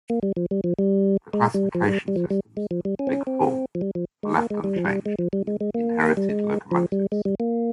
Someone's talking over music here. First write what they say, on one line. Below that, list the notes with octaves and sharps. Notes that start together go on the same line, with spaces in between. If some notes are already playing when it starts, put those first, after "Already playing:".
The classification systems of the 'Big Four' were left unchanged for the inherited locomotives.
A#3
G3
F3
G3
F3
G3
G#3
G3
F3
G3
G3
F3
G3
G#3
F3
G3
C#4
C4
C#4
C4
F3
G3
F3
G#3
A#3
G#3
G3
F3
G3
G#3
F3
G3
G#3
G#3
A#3
G3
G#3
F3
G3
G#3
G3
A#3